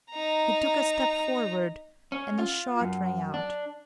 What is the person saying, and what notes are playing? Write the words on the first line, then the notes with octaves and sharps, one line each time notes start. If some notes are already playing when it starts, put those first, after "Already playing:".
He took a step forward and a shot rang out.
D#4 A#5
C#4
F4
F#2
D4